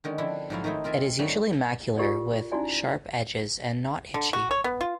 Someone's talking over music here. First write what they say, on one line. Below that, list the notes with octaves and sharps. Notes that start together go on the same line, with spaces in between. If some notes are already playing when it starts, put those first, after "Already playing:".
It is usually macular with sharp edges and not itchy.
D3 D#3 G#3 C#4
D3 F3 C4 D4 E4
G#2 F3 F#3 E4 F5
D#3 A3 D#4 E4 C5
C4 F4 A#4 E5 G#5
G#2 D#3 F#3 G3 A3 C#4
F4 G4 A#4 D5
C#4 D#4 E4 F#4 D5 G#5
D3
F#4
C#5
B3
F4